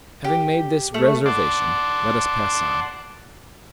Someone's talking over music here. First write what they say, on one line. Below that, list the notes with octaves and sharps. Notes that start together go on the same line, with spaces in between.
Having made this reservation, let us pass on.
G4
A3
D5 F#5 A5 C6 D6